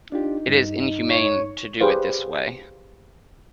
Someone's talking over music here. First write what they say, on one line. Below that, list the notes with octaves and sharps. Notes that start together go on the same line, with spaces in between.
It is inhumane to do it this way.
D4 D#4 F4 G4
G2
C#5
G4 G#4 B4 C5 F5